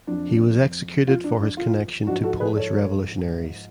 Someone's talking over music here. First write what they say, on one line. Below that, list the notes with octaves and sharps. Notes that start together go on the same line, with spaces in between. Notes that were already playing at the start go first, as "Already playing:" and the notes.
He was executed for his connection to Polish revolutionaries.
F2 F3 D4
F4
D4
D4
F4
G#2 F3 D4 F#4
F#4 A4
G#4 B4
A4 C#5